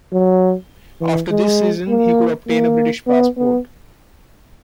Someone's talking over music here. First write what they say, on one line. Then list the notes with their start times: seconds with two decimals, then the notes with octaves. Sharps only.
After this season he could obtain a British passport.
0.12 F#3
1.01 E3
1.30 G#3
1.89 A#3
2.48 A#3
3.07 B3
3.37 B3